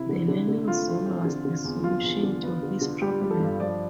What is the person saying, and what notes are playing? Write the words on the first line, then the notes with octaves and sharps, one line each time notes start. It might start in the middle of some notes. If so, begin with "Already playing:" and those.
The Learning Zone was the solution to this problem.
Already playing: C3 E4
D3
D3
D3
A3 F4
C4
C4
D3
D3
E2
F3 F4
E2
D3
B3
D3
D3
G3 G4
G3
A4
G2
F3 D5